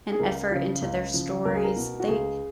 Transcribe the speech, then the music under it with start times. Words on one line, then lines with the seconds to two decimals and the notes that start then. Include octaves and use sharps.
and effort into their stories, they
0.12 G#4
0.20 C#2 A#4
0.51 C#3 F3
0.82 C#2
1.14 C#3 F3
1.45 C#2 A#4
1.55 G#4
1.64 A#4
1.76 B2
2.00 F#4
2.08 C#2 G#4